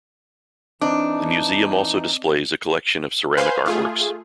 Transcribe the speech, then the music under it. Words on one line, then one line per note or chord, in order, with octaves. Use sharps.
The museum also displays a collection of ceramic artworks.
E3 C4 D4 D#4 D#5 D6
B4 C5 F5 G#5 C6 G6
A3 F4 G#4